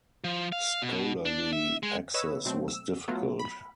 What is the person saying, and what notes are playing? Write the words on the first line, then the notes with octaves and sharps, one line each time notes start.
Scholarly access was difficult.
F3
F5
B2
D4
E5
G#3
B4 C#5 D#5 E6
B2 F#3 A3 C4
E6
F#3 A3 B3 F4 F#4
B5